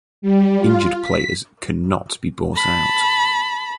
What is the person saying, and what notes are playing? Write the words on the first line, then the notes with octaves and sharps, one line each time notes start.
Injured players cannot be bought out.
G3
F4
B6
A5 B5